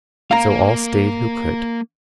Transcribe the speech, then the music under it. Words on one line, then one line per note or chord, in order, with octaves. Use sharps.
So all stayed who could.
A#3 F5 A#5